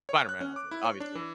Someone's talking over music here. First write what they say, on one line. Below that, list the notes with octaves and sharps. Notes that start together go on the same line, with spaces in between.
Spider-Man outfit, obviously.
C#5
F#6
C#4
D6
E4
C#5
D4
E3